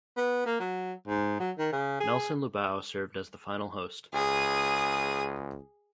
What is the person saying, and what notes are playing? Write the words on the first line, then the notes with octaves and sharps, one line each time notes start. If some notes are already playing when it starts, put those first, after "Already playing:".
Nelson Lubao served as the final host.
B3
A#3
F#3
G#2
F#3
D#3
C#3
G#4
C#2 G#4 D#6